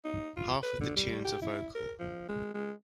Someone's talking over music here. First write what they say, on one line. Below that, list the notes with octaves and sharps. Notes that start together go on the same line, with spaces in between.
Half of the tunes are vocal.
D#4
F4
B4
D3
G3
G4
E4
A#4
F3
G#3
G#3